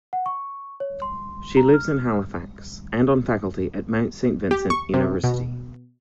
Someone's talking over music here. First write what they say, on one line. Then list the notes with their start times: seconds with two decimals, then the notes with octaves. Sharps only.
She lives in Halifax, and on faculty at Mount Saint Vincent University.
0.13 F#5
0.26 C#6
0.80 C#5
1.02 C6
1.57 A#5
1.74 F6
4.51 G4
4.70 C#6
4.94 C3
5.24 B2